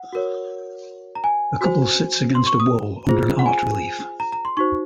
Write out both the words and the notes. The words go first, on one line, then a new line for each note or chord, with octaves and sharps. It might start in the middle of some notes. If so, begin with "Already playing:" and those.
A couple sits against a wall, under an art relief.
Already playing: F#5
F#4 A#4 C#5
A#5
G#5
F#4 C5
C6
C#6
D#6
F4 G#4 C5
F#5
G#5
A#5
A#5
C6
D#4 F#4 C5 C#6